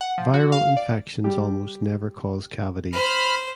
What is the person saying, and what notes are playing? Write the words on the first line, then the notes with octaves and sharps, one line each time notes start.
Viral infections almost never cause cavities.
F#5
F3
F#4
F5
D5
G3 G4
C5 B5 F6